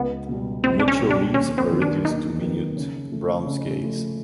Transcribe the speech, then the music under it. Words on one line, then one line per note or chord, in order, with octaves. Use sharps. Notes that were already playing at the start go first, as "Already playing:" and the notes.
Mature leaves are reduced to minute, brown scales.
Already playing: C#2 B3
B2 G3
C#2 C4
D4
C#4
B2 G3
D4
D#2 C#4
C4
D#3 F#3 B3
D4
D#2 D#4
D#3 F#3 B3
C#3
F3 A3
C#3
F3 A3